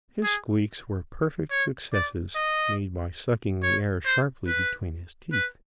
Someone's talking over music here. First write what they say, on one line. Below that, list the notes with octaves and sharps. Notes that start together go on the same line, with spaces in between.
His squeaks were perfect successes--made by sucking the air sharply betwixt his teeth.
G#4
C#5
D5
D#5
C#5
C5
B4
B4